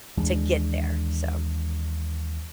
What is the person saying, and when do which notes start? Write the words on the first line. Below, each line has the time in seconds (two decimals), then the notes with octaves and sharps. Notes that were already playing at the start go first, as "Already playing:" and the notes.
to get there, so
0.17 D#2 E3 G#3 D4